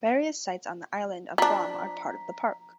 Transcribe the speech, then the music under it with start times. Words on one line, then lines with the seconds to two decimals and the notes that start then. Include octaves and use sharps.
Various sites on the island of Guam are part of the Park.
1.38 F3 D4 A#5 B6